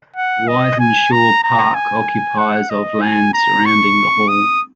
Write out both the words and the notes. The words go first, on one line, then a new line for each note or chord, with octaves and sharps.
Wythenshawe Park occupies of land surrounding the hall.
F#5
D#5
G#5
A#5
A#5
G#5
F#5
D#5
G#5
A#5
C#6
D#6